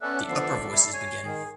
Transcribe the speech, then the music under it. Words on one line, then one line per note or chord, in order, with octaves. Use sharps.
The upper voices begin.
B3 C#4 A4 D5 E5 F#6
D3 F3 B3 C7
G3 E4
C#5 G#5
D#3 G#4